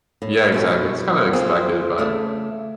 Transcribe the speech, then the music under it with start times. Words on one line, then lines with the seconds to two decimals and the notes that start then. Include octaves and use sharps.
Yeah, exactly, it's kind of expected, but
0.22 A2
0.52 E2 B2 C#4
1.33 C4 F4 G#4
1.98 C#3 A3